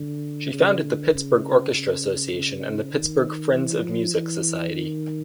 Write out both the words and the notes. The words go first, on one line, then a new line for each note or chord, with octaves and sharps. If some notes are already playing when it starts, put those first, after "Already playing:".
She founded the Pittsburgh Orchestra Association and the Pittsburgh Friends of Music Society.
Already playing: D3
C#3
D3
C#3
C#3
C#3
D#3
E3
F3
E3
D#3